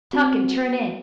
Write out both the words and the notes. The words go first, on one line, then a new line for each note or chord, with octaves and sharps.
Tuck and turn in.
C4 F#4
F#4